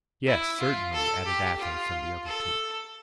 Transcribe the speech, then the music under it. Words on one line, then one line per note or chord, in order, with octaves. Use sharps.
"Yes, certainly," added Athos and the other two.
E4
F4
A4
G4
F4
A4